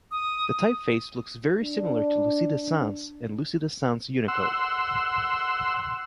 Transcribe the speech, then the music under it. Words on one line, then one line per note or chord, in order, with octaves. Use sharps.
The typeface looks very similar to Lucida Sans and Lucida Sans Unicode.
D#6
D4
F#5 C6 E6